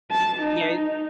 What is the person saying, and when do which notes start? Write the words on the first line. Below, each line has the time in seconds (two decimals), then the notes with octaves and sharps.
Yeah, i
0.11 A5
0.41 D#4